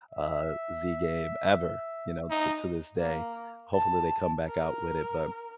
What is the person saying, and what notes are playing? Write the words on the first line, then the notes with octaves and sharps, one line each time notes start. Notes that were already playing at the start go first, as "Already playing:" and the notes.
uh, Z game ever, you know, c to this day. Hopefully, they come back out with it, but
E5
D#4
A#3
A5
A#4